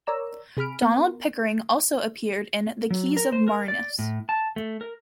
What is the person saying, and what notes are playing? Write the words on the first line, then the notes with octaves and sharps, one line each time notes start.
Donald Pickering also appeared in "The Keys of Marinus".
A#4 C#5 D5 A#5 E6
C3 G#4 B5 F6 D7
B3 A#4
F#3
A#4
C5
A#4
D5
A2
A5
A3
A#4